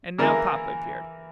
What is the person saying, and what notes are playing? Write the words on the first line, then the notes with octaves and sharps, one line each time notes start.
And now Papa appeared.
E3 A#3 E4 A#4